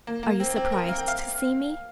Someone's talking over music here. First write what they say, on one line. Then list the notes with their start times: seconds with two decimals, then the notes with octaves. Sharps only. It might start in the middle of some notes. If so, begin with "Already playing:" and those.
"Are you surprised to see me?"
0.07 A#3
0.23 A#3
0.40 C4
0.56 C4
0.72 A#4
0.89 F5
0.98 G5
1.08 F5